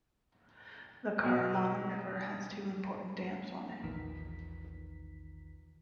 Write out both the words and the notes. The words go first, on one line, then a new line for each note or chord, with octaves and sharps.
The Karamana river has two important dams on it.
B2
A#1 E2 D#3 B6